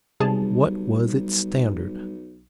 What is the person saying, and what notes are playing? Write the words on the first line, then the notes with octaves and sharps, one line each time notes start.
What was its standard?
B1 C3 G3 G#4 A5